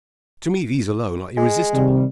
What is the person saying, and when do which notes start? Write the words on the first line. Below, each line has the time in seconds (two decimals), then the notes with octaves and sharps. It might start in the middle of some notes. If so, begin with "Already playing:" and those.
To me these alone are irresistible.
1.37 G#3
1.73 C3 D#3 G3